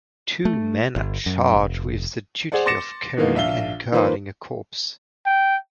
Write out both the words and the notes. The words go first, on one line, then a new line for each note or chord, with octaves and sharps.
Two men are charged with the duty of carrying and guarding a corpse.
A3
G1
F#2
F1
G#4 C5 D5 F#5
C6 D6 A6 A#6 C#7 E7
B2 D#3 E3 G#3 A#3 B3
A#1 E5 F5 G7
D#3 F3 A#3 B4 C5
G5